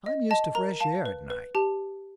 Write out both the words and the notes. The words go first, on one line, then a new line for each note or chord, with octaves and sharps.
I'm used to fresh air at night.
D#5
D#5 A5
A#4 A#5
F5 A5
B4
B4
G4 A5